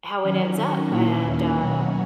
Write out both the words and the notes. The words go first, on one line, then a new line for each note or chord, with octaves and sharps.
how it ends up and, uh,
D#3 F#3 C#4
D#3 F#3 C#4 F#4
A#2 A#3 C#4 E4
D#2 D#3 A#3 C#4
B2 F#3 C#4 F#4